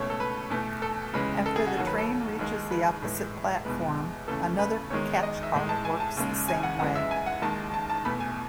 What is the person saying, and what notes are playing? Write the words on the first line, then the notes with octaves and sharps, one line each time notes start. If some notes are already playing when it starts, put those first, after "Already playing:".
After the train reaches the opposite platform, another catch car works the same way.
Already playing: C#2 B2 A3 C#5
A4
B4
E2 B2 A3
A4
C#2 C#3 E3 G#3 B4
A4
G#4
F#4
D#2 D#3 F#3 F#4
B4
A4
D#2 D#3 G#3
B4
A2 E3 G#3
E2 B2 G#3 B4
D#2 C#3 E3 A3 A4
B4
E2 D#3 G#3 C#5
D#5
E5
A2 G#3
A5
G#5
A5
D#2 C#3 G#3
G#5
F#5
F#2 E3 G#3 F#5
E5
G#5
F#5
D#2 D#3 G#3 A5
A5
A5
E2 B2 A3 B5
G#5